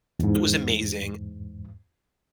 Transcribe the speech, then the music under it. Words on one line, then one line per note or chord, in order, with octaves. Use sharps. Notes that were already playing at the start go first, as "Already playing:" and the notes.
it was amazing.
E2 G#2